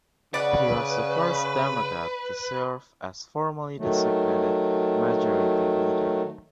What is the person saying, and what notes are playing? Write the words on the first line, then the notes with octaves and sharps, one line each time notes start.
He was the first Democrat to serve as formally designated Majority Leader.
C#3 B4 D5 F#5
D#3 F#3 A3